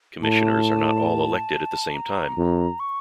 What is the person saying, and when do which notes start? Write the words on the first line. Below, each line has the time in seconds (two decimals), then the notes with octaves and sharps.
Commissioners are not all elected at the same time.
0.23 A2 A5
1.94 A#5
2.37 F2
2.80 C#6